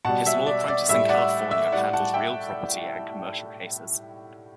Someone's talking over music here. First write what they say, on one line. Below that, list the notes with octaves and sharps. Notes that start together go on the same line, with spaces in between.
His law practice in California handled real property and commercial cases.
B2 G3 F#5 A5
E5
D5
D5
A2 G3 E5
D5 F#5
E5
A2 G3 D5 F#5
F#5 A5
E5 G5